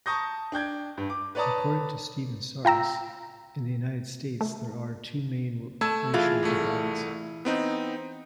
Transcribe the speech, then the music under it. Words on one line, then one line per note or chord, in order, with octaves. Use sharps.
According to Stephen Saris, in the United States there are two main racial divides.
A5 A#5 C#6 D#6 G6 A#6
D4 G5 G6 G#6
G2
D6
B4 C#5 D5 A5 A#5 D#6
F4 G5 A#5 E6
A3
A3 A5 E6 G#6
E3 F4 G#4
C2 A3
B3 C4 D#4